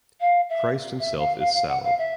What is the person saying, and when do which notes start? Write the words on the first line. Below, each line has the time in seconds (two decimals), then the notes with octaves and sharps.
Christ himself is sallow.
0.20 F5
0.49 E5
0.99 E5
1.19 F5
1.39 F5
1.53 F5
1.68 F#5
1.84 F5
1.98 E5